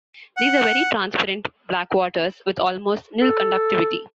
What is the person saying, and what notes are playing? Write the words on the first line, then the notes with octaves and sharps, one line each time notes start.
These are very transparent blackwaters with almost nil conductivity.
F#5
A4